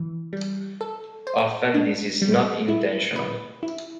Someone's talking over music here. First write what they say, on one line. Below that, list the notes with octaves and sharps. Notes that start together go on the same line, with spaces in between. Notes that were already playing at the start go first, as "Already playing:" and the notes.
Often, this is not intentional.
Already playing: E3
G3
A4
C5
D4
G3
E4
B4
E4